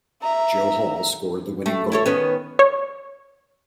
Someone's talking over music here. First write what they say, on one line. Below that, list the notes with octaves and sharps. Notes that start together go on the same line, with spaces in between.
Joe Hall scored the winning goal.
E5 A#5
A3
E4 A4 C#5
D#3 B3 C#4
C#5